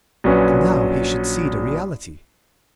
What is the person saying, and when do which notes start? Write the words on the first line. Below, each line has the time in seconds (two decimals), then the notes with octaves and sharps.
And now he should see the reality.
0.24 A#1 F#3 C#4 B4